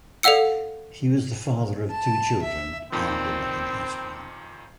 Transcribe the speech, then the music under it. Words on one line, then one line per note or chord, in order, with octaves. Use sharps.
He was the father of two children and a loving husband.
A4 D5 F5 F#5 E6 C#7
A5
E5
F2 A#2 D#3 C4